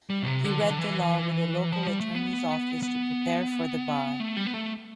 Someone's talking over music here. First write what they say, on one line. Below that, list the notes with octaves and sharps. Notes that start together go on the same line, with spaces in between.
He "read the law" with a local attorneys' office to prepare for the bar.
G3
B2
C3
D3
E3
D3
E3
F3
G3
A3
B3
B3
A3
G3
B3
A3